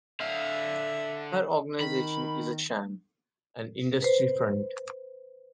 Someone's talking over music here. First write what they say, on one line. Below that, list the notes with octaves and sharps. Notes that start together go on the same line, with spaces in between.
Her organization is a sham, an industry front.
D3 E5 F5
D#3 B5
B4 C5